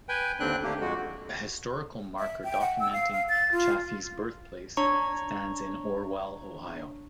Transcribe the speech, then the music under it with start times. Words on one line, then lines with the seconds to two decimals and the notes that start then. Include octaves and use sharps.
A historical marker documenting Chaffee's birthplace stands in Orwell, Ohio.
0.09 B4 G5 G#5
0.40 D#2 D3 C4 D4 G5 F#6
0.63 D3 A3 A#3 G4
0.81 F2 G#3 F#4
2.19 E5
2.44 G5
2.61 F#5
2.80 E6
2.93 F5
3.12 F5
3.29 A6
3.52 F4
4.77 D4 C#5 A#5 C#6